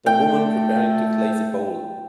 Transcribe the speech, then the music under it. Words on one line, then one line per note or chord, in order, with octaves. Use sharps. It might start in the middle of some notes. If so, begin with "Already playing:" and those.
A woman preparing to glaze a bowl.
A3 G5